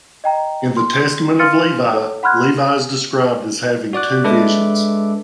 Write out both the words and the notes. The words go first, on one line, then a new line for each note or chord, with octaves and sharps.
In the "Testament of Levi", Levi is described as having had two visions.
D#5 G5 A#5
C6
F5 C6 F6 A6 C#7 D#7
E4 A4 C#5
F#5 B5 C6 F6 F#6 G#6
F#4 D5 D6 F#6
G#3 D4 A4 B4 E5 D6